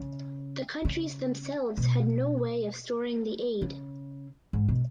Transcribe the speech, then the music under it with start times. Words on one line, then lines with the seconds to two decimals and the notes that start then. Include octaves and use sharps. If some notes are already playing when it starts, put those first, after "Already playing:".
The countries themselves had no way of storing the aid.
Already playing: C#3
0.85 C#3
1.77 B2
3.62 C#3
4.53 G#2
4.68 B2